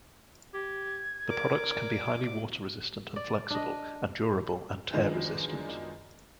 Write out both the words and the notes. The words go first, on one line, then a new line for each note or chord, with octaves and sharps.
The products can be highly water resistant and flexible and durable and tear resistant.
G4 G#6
A#4 D5 D6
D5
D4 D#5
F#2 D#3 F3 G#3 B3 D4